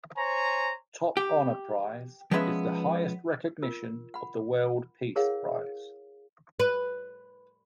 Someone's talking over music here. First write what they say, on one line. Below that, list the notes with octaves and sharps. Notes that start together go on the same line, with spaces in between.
"Top Honor Prize" is the highest recognition of the World Peace Prize.
C5 C#5 G#5 A#5
G4
F3 G#3 B3 C#4 B4 E5
F4 A#4
F#5 B5
E4 G#4 A#4 C#5 F5 F#5
B4